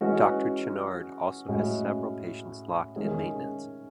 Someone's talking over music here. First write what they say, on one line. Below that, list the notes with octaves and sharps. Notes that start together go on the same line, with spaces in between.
Doctor Channard also has several patients locked in Maintenance.
E3 G#3 C#4 F#4
A2 G#3 C#4 F#4
D#3 G#3 C#4 G#4